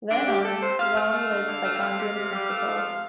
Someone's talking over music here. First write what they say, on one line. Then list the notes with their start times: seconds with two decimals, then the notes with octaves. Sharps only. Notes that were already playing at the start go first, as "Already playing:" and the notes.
Then on, Ram lives by Gandhian principles.
0.11 D3 D4
0.27 D3 G4
0.44 A3 A4
0.61 C3 C5
0.79 C3 F5
0.96 A3 F5
1.13 A3
1.30 D3
1.47 D3
1.64 A3
1.81 C3 F5
1.99 C3
2.15 C3
2.32 G3
2.49 A3
2.66 F3
2.84 C3